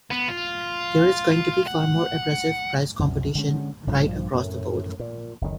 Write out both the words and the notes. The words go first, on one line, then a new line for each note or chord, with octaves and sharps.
There is going to be far more aggressive price competition right across the board.
B3
F4
F4
F#5
C2 F#2
D3 G#3 C#4
A#1 G2 F3
F#2 A2
A#2
F#1 D2 A#2 D#3